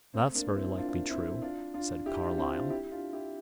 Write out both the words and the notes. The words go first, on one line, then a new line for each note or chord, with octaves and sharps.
"That's very likely true," said Carlyle.
A3 C4
A#3 D4
C4 E4
D4 F4
C4 E4
D4 F4
D4 F4
E4 G4
G4
D4 F4
C4 E4
D4 F4
E4 G4
D4 F4
E4 G4